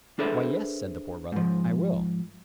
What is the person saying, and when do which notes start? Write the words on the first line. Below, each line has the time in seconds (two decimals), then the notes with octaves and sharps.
"Why, yes," said the Poor Brother, "I will."
0.19 D4 G#4 A4 B4 C5 E5
1.32 G#2 F3